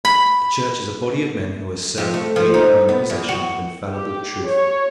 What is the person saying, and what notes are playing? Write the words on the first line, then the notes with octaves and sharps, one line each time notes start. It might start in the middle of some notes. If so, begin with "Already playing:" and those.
A church is a body of men who assert that they are in possession of infallible truth.
B5
F2
A3
F3
D#4
B3
E2
F#4
G4
C#5